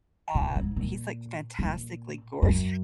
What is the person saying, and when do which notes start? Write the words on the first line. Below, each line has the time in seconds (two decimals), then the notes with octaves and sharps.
Uh, he's, like, fantastically gorgeous,
0.35 A#2
0.56 G#2
0.76 A#2
1.59 A#2
2.42 F#2